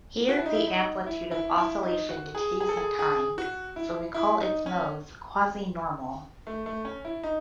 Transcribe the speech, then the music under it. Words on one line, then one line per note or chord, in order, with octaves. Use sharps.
Here the amplitude of oscillation decays in time, so we call its modes "quasi-normal".
F#4
E4
D#4
E4
D#4
E4
E4
E4
D#4
F#4
G#4
G#4
A4
G#4
G#4
F#4
E4
E4
D#4
C#4
A3
A3
C#4
E4
D#4